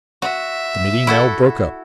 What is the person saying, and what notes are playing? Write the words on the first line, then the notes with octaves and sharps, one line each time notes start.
The meeting now broke up.
F#4 E5
E4 F#4 A4